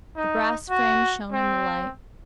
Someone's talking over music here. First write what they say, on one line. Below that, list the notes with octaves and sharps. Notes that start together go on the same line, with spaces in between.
The brass frame shone in the light.
D#4
F#4
C4